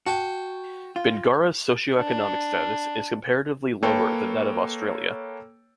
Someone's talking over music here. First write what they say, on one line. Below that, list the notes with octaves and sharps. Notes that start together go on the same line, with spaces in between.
Bingara's socioeconomic status is comparatively lower than that of Australia.
F#4 G5 A5
F4
D4
A#3 A4 B4 C#5 G5